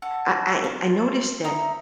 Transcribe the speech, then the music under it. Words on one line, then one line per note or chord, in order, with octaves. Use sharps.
I I I noticed that
F#4 A4
F4
D#4 E5 A#5 B5